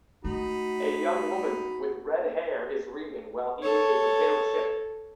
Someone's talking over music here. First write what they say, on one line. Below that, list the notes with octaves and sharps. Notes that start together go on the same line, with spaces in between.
A young woman, with redhair, is reading, while eating a potato chip.
A3 D#4 F#4 B5
A4 C#5